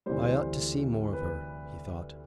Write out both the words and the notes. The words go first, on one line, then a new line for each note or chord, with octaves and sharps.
"I ought to see more of her," he thought.
D2 C3 E3 G3 C5
B4